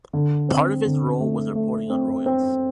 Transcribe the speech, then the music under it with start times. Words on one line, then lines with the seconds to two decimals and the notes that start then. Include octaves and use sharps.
Part of his role was reporting on royals.
0.13 D3
0.49 C4
0.85 D3
1.20 A3
1.55 A3
1.90 C4
2.26 C4